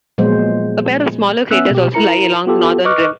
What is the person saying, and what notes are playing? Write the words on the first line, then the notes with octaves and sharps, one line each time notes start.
A pair of smaller craters also lie along the northern rim.
A#2 F3 F#3 G#3 B3 C5
B3 C#4 E5 E6 F#6
B2 G4
E4 A#4 A#5 C#7
B3 F4 G4 A4
B4 D#5 C#6 D6 F6 F#6